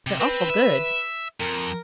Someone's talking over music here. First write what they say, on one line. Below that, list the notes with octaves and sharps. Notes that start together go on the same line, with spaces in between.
"They're awful good."
C3
C4 B4
E5
F2 A#4